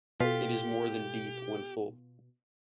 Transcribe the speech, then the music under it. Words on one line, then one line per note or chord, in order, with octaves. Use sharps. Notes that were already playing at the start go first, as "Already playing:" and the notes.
It is more than deep when full.
B2 F4 G4 A4 B6